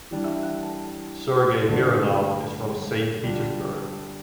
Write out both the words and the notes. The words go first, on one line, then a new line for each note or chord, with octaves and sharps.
Sergey Mironov is from Saint Petersburg.
E3 G3 D4
G2 D3 A3 D4 F4
D3 G3 D4 F4